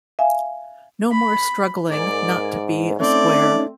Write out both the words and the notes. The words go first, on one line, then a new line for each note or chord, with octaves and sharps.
No more struggling not to be a square.
E5 F5 G#5
B5
G#2 A#4 D5 G#5
A3 C4 C#4 D#4 D5